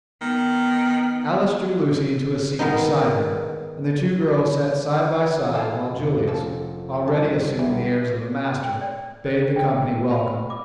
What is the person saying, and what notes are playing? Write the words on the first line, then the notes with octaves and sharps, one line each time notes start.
Alice drew Lucy into a seat beside her, and the two girls sat side by side, while Julius, already assuming the airs of a master, bade the company welcome.
D#3 B3
D#3 G#3 B3 D#4
A#3 E4 G#4 A4 C5 F5
F1
C#4 A4
G3 A5
B1 E3 G3
G5
D5
C5
G5
B5
D6